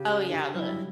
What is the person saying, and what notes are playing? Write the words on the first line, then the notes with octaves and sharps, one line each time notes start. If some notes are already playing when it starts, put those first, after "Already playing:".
Oh, yeah, the
Already playing: C#3 G4
D3 G4
F#3 E4
G3